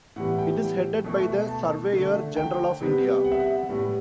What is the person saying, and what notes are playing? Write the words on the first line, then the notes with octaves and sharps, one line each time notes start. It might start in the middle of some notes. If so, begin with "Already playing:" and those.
It is headed by the Surveyor General of India.
A2 E3 G3 B3 F#5
G5
B2 A3
A5
D3 A3
G5
C3 G3 B3
F#5
E5
F#5
A2 G3 B3